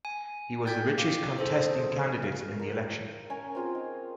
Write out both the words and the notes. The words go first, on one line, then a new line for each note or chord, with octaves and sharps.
He was the richest contesting candidate in the election.
G#5
D5 G5 G6 G#6 B6
F5 D6
G#4 A4 C5
F5
A#4
C#4 A#4 G#5 A#5
C4 F4 G#4
D#4